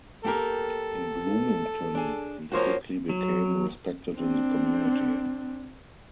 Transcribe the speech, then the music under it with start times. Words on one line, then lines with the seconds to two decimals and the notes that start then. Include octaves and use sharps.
In Bloomington he quickly became respected in the community.
0.24 A#3 G4 A4 A#4
1.95 D4 G#4
2.52 F3 A#3 F#4 C5 C#5
3.09 F#3
4.16 C4 D4